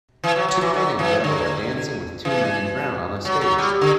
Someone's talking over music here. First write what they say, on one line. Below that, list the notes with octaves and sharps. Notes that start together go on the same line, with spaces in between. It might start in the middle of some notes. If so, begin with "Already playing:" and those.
Two men in yellow are dancing with two men in brown on a stage.
E3
F#3
F#3
E3
F#3
E3
D3
E3
F#3
F#3
G3
D3